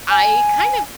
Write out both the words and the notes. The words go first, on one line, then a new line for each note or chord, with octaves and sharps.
I kind of
G#5